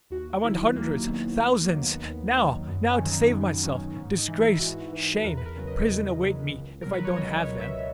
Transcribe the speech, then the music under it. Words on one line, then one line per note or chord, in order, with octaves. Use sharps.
I want hundreds--thousands--now, now, to save myself! Disgrace, shame, prison await me if I don't have them.
D#2 F#4
D#3 F#3 E4
D#2 A#3
D#3 F#3 B3
D#2
A#3
D#3 F#3
B3
D#2
D#3 F#3
F#2 B3
C#4
D#3 F#3
D#4
F#2 B3
D#3 F#3 C#4
G#2 C#4
D#4
E3
E4
G#2 F#4
E3
B4
E2 A#4
B4
A#4
C#3 F#3
D#5
E2
C#3 F#3
C#2
B2 F#3 A#4
B4
C#5
C#2 D#5
C#5
B2 F#3
E5